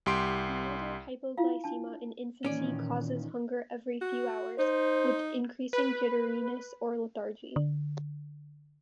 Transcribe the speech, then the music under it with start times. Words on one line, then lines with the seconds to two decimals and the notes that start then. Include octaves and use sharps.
Milder hypoglycemia in infancy causes hunger every few hours, with increasing jitteriness or lethargy.
0.06 C2 G4 C6 D7
1.37 E4 F4 F5
1.64 D4 A5
2.45 A#2 D#3 E3 C#4 D5
4.01 F#4
4.58 D#4 C5
5.73 B4
7.56 D3